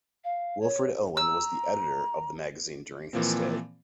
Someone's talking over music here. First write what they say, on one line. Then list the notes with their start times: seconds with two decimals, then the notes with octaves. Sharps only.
Wilfred Owen was the editor of the magazine during his stay.
0.24 F5
0.61 C#5
1.17 A#5 E6
3.13 A#2 E3 F3 A#3 C4